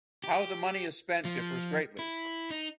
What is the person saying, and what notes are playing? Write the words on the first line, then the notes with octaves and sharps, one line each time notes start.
How the money is spent differs greatly.
G4
F3
E4
D#4